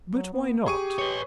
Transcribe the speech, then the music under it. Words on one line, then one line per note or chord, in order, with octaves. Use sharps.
"But why not?"
F#3
B3
G4 G#4 C#6 D#7
B4 C#5